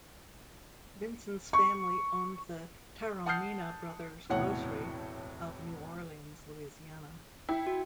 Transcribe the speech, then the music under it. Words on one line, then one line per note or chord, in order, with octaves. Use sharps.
Vincent's family owned the "Taromina Brothers Grocery" of New Orleans, Louisiana.
C#6
F#5 A5 D#6 F6 G6 C7
E1 A2 C3 C#5 F#5
E4 G5
F#4